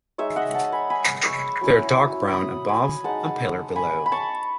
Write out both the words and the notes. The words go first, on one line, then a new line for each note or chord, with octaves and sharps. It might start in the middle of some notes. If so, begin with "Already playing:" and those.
They are dark brown above and paler below.
G#3 D#4 C#5 E5
D#5 F#5
F#5 A5
G#5 B5
G#5 B5
C#6 E6
F#3 C#4 E4
B5 D#6
G#5 B5
G#3 D#4 F#5 A5
G#5 B5
B5
A5 C#6